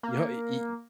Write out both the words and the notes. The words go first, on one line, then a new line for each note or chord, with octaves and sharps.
No, e e
A#3